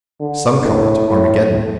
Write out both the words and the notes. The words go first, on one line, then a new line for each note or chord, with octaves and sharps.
"Some call it Armageddon."
D3
A2
A2